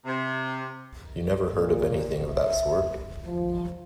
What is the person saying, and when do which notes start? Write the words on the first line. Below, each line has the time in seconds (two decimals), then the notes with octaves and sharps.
You never heard of anything of that sort?
0.06 C3
1.58 A#2
2.31 E5
3.25 F3